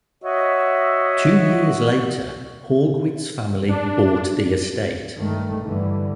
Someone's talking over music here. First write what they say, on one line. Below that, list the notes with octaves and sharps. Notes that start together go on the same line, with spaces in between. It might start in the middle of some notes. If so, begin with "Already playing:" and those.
Two years later Haugwitz family bought the estate.
F#4 C#5 D#5 E5
D4
G2 D#3 A3
G2 D3 E3